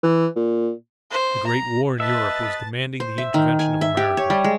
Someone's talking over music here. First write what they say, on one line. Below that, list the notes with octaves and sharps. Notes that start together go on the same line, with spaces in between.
The Great War in Europe was demanding the intervention of America.
E3
A#2
C5
A#5
B4 D#5 E5 A5 A6
C5
E5
D#3
G#5
E5
G4
C#5
G3
G#3